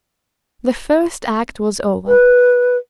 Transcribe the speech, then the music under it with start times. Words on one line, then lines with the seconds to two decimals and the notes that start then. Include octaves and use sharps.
The first act was over.
2.07 B4